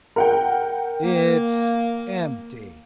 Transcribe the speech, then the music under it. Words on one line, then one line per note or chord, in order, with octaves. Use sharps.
"It's empty."
A#4 F#5 G5
A#3